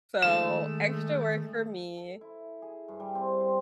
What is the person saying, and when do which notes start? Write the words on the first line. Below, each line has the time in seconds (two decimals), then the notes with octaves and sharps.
So, extra work for me,
0.22 D#3 G#3 A3 E7
1.97 A4
2.21 E4
2.62 G#4
2.88 G2
3.00 G3
3.15 C4
3.41 C5